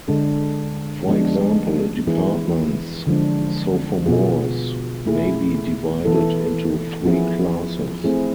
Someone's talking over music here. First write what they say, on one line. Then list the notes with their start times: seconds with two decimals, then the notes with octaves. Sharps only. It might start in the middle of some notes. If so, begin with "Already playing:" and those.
For example, a department's sophomores may be divided into three classes.
0.08 D3 G#3 D4 A4
1.08 F3 G#3 B3 D4
2.07 E3 B3 E4 G#4
3.07 D3 F3 G#3 D4
4.06 B2 B3 F4 G#4
5.06 A3 E4 G#4
6.05 E3 B3 E4 A4
7.05 F3 B3 E4 G#4
8.04 A3 C4 E4 G#4